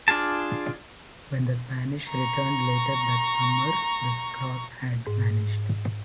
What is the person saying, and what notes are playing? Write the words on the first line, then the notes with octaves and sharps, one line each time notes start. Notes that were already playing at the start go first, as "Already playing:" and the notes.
When the Spanish returned later that summer the cross had vanished.
D4 F4 G#4 A5
A#5 C#6
G#2